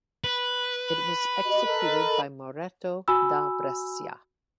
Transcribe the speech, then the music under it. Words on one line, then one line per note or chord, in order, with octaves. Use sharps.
It was executed by Moretto da Brescia.
B4
F#4 G4 D#5
A4 A#4 D#5
F#4 G#5 B5 E6